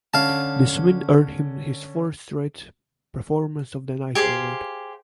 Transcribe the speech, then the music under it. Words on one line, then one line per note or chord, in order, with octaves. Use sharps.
This win earned him his fourth straight "Performance of the Night" award.
D3 C#4 F5 A5
G4 G#4 C5 F5